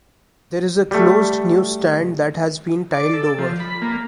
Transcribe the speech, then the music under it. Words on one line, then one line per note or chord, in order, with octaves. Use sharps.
There is a closed newsstand that has been tiled over.
G3 A3
D5
A4
F3
B5
A#3